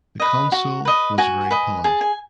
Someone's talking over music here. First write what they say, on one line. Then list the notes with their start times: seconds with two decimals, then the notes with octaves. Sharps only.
The consul was very polite.
0.20 B4 D#5
0.52 F#4
0.85 B4 D#5
1.18 F#4 G#5
1.51 B4 D#5
1.84 G#4 A5
2.01 G#5